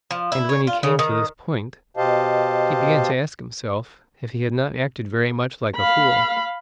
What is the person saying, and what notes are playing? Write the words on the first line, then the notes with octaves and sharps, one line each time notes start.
And when he came to this point, he began to ask himself, if he had not acted very much like a fool.
F3
E4
C#5
F4
C#3
D#3
B2 G4 C5 D#5 F5 A5
F5 B5